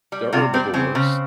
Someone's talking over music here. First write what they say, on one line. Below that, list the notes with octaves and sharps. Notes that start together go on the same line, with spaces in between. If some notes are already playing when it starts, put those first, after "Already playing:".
they're herbivores,
G3
C3 F4
G3 C4
C#3 C4
C#3